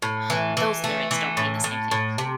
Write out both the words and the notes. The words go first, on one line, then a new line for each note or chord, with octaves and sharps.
Um, those lyrics don't mean the same thing.
A2
E3
E3
A3
E3
A2
A2
A2
C3